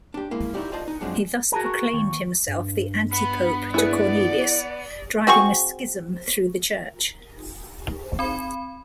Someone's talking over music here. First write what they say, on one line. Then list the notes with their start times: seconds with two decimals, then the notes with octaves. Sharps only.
He thus proclaimed himself the antipope to Cornelius, driving a schism through the church.
0.14 D4 G4
0.31 G#3 A#3 E4
0.54 D#4 E4 F#4 G4 D5
0.72 F4 C5 D5 D#5 A5
0.88 D#4
1.01 F#2 F3 G#3 C4 D4
1.52 F#4 G#4 A#4 A5
1.65 C#6
1.93 D#2
2.47 G2
3.13 B3 B5
3.74 E4 G#4 B4 D5
5.27 C4 F#4 G#4 C#6
8.19 C4 B5